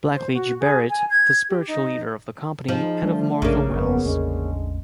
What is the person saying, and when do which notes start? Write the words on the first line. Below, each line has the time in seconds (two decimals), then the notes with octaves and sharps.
Blackleach Burritt, the spiritual leader of the company, and of Martha Welles.
0.14 C5
0.34 F#4
0.60 G#4
0.90 G#5
1.10 G#6
1.49 G4
1.67 D#4
2.68 F3 G#3 D#4
3.03 G3 A3 D4
3.42 A#1 F#2 C#3 A#3
3.73 G1 F2 B3
4.04 A1 E2 D3 G#3 C#4